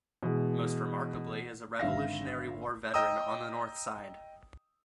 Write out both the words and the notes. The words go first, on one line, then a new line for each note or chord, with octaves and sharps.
Most remarkably is a Revolutionary War veteran on the north side.
B2 E3 G#3
G#1 D3 E5 F5 A#6
D#5 G5 A#5 D#6 E6